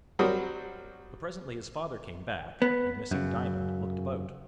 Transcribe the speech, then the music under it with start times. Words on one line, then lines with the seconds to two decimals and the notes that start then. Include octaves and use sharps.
But presently his father came back, and missing Diamond, looked about.
0.19 F#3 G3 C4 A#4 D#6
2.62 B3
3.11 F#2 C#3